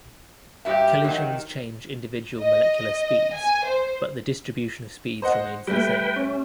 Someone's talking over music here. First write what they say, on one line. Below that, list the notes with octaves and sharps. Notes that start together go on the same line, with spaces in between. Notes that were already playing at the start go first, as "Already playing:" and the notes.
Collisions change individual molecular speeds but the distribution of speeds remains the same.
G2 G4 E5
D#3 F#3
D#5
G#5
C5
C5 D#5 F#5
G3 A3 B4 G5
C#4